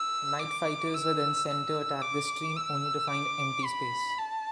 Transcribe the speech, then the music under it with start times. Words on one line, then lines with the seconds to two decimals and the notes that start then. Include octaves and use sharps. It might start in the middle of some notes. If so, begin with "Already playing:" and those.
Night fighters were then sent to attack this stream, only to find empty space.
Already playing: E6
0.39 D6
0.94 E6
1.48 E6
2.02 D6
2.56 E6
3.10 D6
3.64 B5
4.19 A5